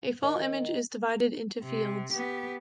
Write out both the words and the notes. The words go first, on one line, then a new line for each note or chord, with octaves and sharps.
A full image is divided into fields.
D#3
C3
B3 G4